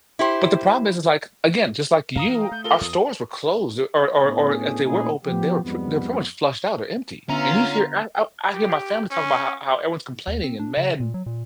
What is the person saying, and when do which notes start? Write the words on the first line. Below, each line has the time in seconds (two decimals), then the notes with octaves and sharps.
But the problem is, is, like, again, just like you, our stores were closed or or or if they were open, they were p they're pretty much flushed out or empty, and you hear, I I I hear my family talking about how how everyone's complaining and mad and
0.19 E4 G4 C5
2.16 F#2 F5 A#5 D#6
2.28 E3
2.40 G5
2.51 A3 G6
2.64 F4 A4 A#4 G7
2.81 E2 D#6
4.24 A2 A3 B3 C#4 D4 G#4
4.85 A#2 A3 C#4 D#4 E4 G#4
5.25 F3 B3 G4
5.63 F2 G#2 G3 B3
7.29 D3 B3 C#4 F4 E5 A#5
8.53 G4
9.11 C#4
10.27 D#2
10.44 C4
10.59 D4
10.77 C#3
11.00 A#2
11.14 F#3
11.26 A#2